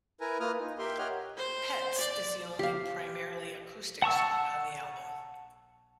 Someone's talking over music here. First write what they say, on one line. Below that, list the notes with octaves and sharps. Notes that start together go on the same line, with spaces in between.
"Pets" is the only primarily acoustic song on the album.
E4 A#4 B4 G#5 A#5
A#3 F4 B4 D#6 F6
D#4
G4 A#4 E5 G5 C6
G4 C#5 D#5 F#5 G5 F6
C5
D5
G4 F5
F#5 A5 C#6 E6